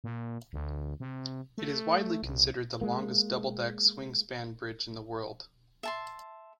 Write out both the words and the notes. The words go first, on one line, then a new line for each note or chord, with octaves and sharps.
It is widely considered the longest double-deck swing-span bridge in the world.
A#2
D2
C3
A3
C2
G#3 A#3
E5 A5 C6